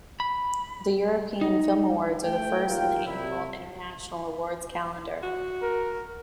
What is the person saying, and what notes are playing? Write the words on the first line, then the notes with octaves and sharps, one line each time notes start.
The European Film Awards are the first in the annual international awards calendar.
B5
D#4
A3 G5
D#2 A#3 F4 G5
C2 C3 E4
F#4
A#4